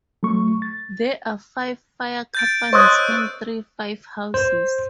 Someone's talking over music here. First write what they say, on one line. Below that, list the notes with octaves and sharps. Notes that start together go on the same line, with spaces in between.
There are five fire companies in three fire houses.
F#3 A3 C#6
A6
G6 A6 D7
C5 C#5 D#5 C#6 E6 F#6
D#6
C5